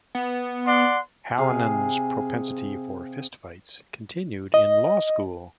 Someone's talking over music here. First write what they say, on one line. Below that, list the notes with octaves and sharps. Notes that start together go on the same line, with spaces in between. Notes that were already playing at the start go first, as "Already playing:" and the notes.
Hallinan's propensity for fistfights continued in law school.
B3
D5 F#5 C6
C3 G#4 F5
D#5